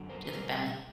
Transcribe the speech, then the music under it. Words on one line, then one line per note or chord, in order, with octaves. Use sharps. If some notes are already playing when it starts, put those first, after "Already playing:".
to the family.
Already playing: F#2 D3 F#3
A#4 C5
B4
B2 G3 A#4 C5